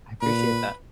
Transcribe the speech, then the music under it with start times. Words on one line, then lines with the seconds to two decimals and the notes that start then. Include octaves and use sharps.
I appreciate that.
0.22 A#2 B4